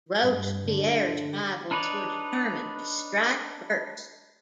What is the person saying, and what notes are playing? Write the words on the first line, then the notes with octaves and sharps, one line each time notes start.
Robespierre's rivals were determined to strike first.
G2
D3
D4 D#4 B4 C#5 D5